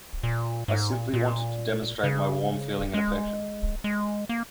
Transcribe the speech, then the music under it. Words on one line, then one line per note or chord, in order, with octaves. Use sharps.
I simply wanted to demonstrate my warm feeling and affection.
A#2
G#2
A#2
A#2
C#3
G#3
G#3
A#3